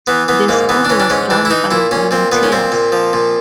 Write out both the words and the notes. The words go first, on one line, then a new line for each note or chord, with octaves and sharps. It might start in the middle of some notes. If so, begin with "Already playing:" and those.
The school was run by volunteers.
E3 B3
E3 B3
G#2 A#3
E3 B3
D4
E3 C#4
D4
G#2 C#4
E3 D4
E4
E3 D#4
A#2 E4
A#2 C#4
A#2 C4
A#2 B3
C#4
A#2 C4
A#2
F3
A#2